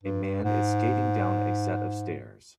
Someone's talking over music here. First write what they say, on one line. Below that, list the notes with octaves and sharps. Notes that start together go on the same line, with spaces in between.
A man is skating down a set of stairs.
G2
G#2